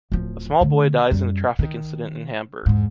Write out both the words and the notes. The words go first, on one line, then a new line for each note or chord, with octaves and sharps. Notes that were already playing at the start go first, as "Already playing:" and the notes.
A small boy dies in a traffic incident in Hamburg.
D1 F3
D3 A3
F#2 G3
D#3
E2 G#2